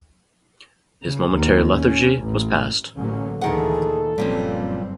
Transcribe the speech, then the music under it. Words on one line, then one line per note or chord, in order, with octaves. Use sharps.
His momentary lethargy was past.
C#3
D#2
C#4
A1
A1 D3 F#3 A#3 C#4
D2 A#2 D#3 E3 G#4 A4 F#5
F#1 G2 A#2 F3 G3 C4 C#4